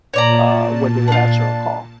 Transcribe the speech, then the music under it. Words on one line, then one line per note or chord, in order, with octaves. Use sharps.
uh, when they would answer a call.
A#2 C#5 D5 A5 A#5
D4 F4